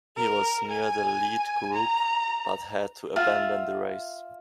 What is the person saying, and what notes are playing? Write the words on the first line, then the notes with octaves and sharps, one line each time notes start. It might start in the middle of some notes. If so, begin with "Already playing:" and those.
He was near the lead group but had to abandon the race.
A#4
G#5
A#5
F4 E5 F#5